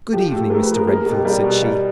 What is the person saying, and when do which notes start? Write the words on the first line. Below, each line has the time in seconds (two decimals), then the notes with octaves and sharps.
"Good-evening, Mr. Renfield," said she.
0.13 F3 G4 A4
0.31 A3
0.50 A3 G#4 A#4
0.63 A4 B4
0.69 F3
0.75 G#4 A#4
0.87 A#3 G#4 A#4
1.01 G#4 A#4
1.06 B2
1.12 G4 A4
1.25 G3 G#4 A#4
1.44 B2
1.62 G3